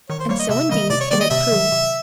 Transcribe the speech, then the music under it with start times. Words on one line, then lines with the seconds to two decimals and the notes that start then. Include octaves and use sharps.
And so, indeed, it had proved.
0.10 D#3 C#5
0.20 C5
0.29 G3 A#3 C#5
0.39 D#5
0.49 C3 E5
0.69 D#3 G3 A#3 D#5
0.90 C3 D5
1.01 C#5
1.11 D#3 G3 A#3 D5
1.21 D#5
1.31 C3 E5
1.52 D#3 F#3
1.72 C3